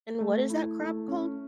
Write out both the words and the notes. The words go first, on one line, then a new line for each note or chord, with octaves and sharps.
And what is that crop called?
A3
E4
A3
C#4